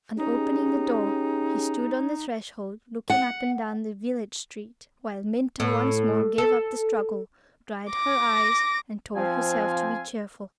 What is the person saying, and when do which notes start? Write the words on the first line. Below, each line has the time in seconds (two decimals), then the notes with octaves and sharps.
And opening the door he stood on the threshold looking up and down the village street, while Minta once more gave up the struggle, dried her eyes, and told herself to be cheerful.
0.17 C#4 D#4 G4 G#4
3.10 F#5
5.60 A2
6.38 A4
7.91 D6 A#6
9.16 F3 C4 F5 G#5